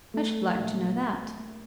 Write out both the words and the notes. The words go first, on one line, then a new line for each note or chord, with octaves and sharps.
I should like to know that.'
A3
A#1